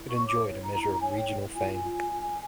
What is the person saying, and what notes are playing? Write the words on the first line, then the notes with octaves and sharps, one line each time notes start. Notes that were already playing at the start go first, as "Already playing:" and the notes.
It enjoyed a measure of regional fame.
Already playing: E4
C#6
C#5
D6
E4
A#5
E4
A#5
C#5 G#5
G5
E4
F4 G#5
F4
F4